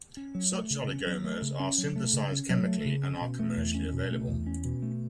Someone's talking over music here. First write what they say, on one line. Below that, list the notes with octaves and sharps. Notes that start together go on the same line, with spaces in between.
Such oligomers are synthesized chemically and are commercially available.
C#4
F#3
A3
C#3
C#4
F#3
A3
C#3
C#4
F#3
A3
C#3
C#4
F#3
A3
C#3
C#4
B2
A3
E2
C#4
B2
A3
E2
C#4
B2
A3